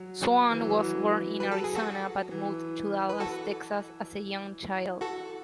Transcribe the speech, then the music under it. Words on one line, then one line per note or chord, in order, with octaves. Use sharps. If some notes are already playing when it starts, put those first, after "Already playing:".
Swann was born in Arizona but moved to Dallas, Texas, as a young child.
Already playing: F#3
E3
F#3
E3
F#3
E3
F#3
E3
F#3 B4
A4
G#4
F#4 A4
E3
B4
F#4 A4
F#4 A4